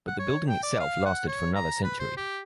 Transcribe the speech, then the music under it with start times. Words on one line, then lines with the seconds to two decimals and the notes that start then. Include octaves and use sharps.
But the building itself lasted for another century.
0.07 F#5
0.19 C#5
0.49 G5
0.63 D5
0.80 F5
1.06 F#5
1.28 C#5
1.56 A#5
1.84 B4
2.00 C5
2.17 G4